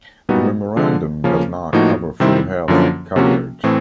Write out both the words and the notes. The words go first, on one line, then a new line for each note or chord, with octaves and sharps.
The memorandum does not cover full health coverage.
A#2 G3 B3 D#4 F#4
D3 F3 G#3
C#3 F3 A#3 C#4
A2 F3 A#3 D#4 F#4
C3 D#3 G3 C4 E4
F#2 D3 F3 A#3 C#4
C3 F3 A#3 C#4 F#4
A2 E3 A3 C4